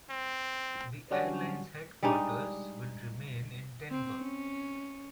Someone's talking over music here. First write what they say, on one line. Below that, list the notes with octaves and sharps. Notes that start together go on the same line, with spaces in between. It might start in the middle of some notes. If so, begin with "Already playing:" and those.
The airline's headquarters will remain in Denver.
C4
D3 F#3 G3 C#4 D4 F#4
G3 G#3 D4 D#4
C4
C#4